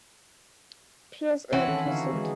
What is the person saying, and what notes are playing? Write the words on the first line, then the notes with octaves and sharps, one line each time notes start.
Pierce and Cassatt.
E3 C4 C#4 F#4 C#5
D#3 C#4 A4
D3 D#4 F5
G#3 G#4